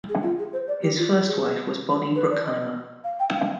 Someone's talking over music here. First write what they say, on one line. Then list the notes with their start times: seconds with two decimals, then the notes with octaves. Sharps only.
His first wife was Bonnie Bruckheimer.
0.09 G#4
0.22 F4
0.38 G#4
0.53 C5
0.67 D5
0.82 G4
0.97 F4
1.12 G4
1.26 G#4
2.15 B4
2.30 D5
2.45 D#5
3.04 F5
3.19 G5
3.34 F5